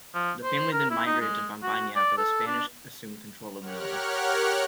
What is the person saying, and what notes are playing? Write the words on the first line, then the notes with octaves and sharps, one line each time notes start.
The family then migrated to Pampanga after the Spanish assumed control of Manila.
F3
C5
A#4
E4
D#4
G#3
F#4
D5
A4
D4
G4 A#4 C#5 F#5 F6 F#6